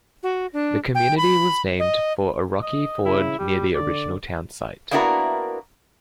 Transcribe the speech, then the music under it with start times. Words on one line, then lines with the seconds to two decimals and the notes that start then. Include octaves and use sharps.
The community was named for a rocky ford near the original town site.
0.23 F#4
0.53 D4
0.95 G5
1.18 B5
1.79 D#5
2.62 D#5
3.05 C#3 E4
3.39 G3 G4
3.75 D3 D5
4.91 A#3 B3 D4 E4 F#4 A#4